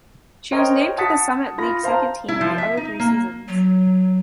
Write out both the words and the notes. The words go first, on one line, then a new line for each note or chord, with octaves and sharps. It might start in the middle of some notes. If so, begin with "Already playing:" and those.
She was named to the Summit League Second Team in the other three seasons.
A#4 C5 C#5 D#5 G5 A#5
F#5 A5 D#6 A6 B6 C#7
F4 B5 A#6
C5 F5 A5 A#5
E4
F3
E5
D#4
A#3
F#3